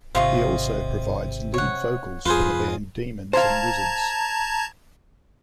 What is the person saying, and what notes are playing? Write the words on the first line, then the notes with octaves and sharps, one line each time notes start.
He also provides lead vocals for the band Demons and Wizards.
G#1 C3 F4 D#5 C#6
C#5 F#5
F2 F4 G#4 B4 C5
C5 F5 A5 A#5 G#6